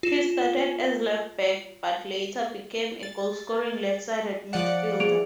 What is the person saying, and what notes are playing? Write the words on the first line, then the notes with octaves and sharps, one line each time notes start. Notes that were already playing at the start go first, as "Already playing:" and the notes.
He started as a left-back but later became a goal-scoring left-sided midfielder.
F4 E7
A6
F3 D5 F#5
G#4 D7 F7